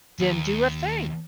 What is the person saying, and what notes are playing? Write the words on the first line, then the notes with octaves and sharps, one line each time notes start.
didn't do a thing.
D#2